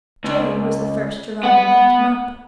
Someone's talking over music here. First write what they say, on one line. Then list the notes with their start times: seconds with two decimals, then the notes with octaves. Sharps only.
Jerry was the first to run and lift him up.
0.25 C#2
1.43 B3 F#5